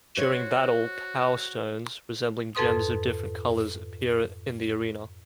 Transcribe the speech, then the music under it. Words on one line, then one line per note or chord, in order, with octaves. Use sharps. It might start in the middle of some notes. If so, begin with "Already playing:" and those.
During battle, "Power Stones", resembling gems of different colors, appear in the arena.
F#4 C5 C#5
F2 G#2 A4 B4 C6 D#6